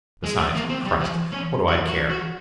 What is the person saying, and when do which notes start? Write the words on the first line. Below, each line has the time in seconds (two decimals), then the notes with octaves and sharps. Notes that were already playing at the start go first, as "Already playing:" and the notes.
Besides, Christ! what do I care?
0.24 G#3
0.38 A3
0.55 A#3
0.69 C4
0.85 G3
1.01 F3
1.32 C#4
1.68 F#4
1.88 F#4
2.10 F#4